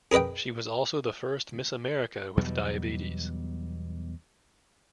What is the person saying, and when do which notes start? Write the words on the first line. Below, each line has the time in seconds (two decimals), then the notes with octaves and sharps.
She was also the first Miss America with diabetes.
0.12 G#4 A#4 B4 D#5 G5
2.37 E2 B2 F#3 G3